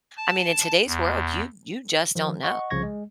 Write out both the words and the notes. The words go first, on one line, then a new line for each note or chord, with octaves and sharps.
I mean, in today's world, you you just don't know.
A5
E2
D#3 F3
D#5 F#5 C#6
C2 C#3 F3 C#6 G#6 A#6
G#3